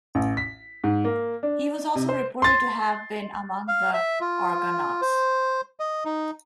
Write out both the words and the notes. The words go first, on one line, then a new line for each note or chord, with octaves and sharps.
He was also reported to have been among the Argonauts.
A1
B6
G#2
A#3
D4
C3
C5
C6 A6
F5
E5
F4
C5
D#5
D#4